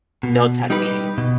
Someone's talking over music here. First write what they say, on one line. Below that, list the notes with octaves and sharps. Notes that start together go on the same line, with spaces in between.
notes had to be
B2
G3 D#4 G4 B4
B2